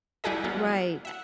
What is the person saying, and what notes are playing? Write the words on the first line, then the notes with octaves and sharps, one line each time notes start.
Right, a
G3 E4 F#4 G#4 A4 D#5
F#3 A#3 B3
E5 F#5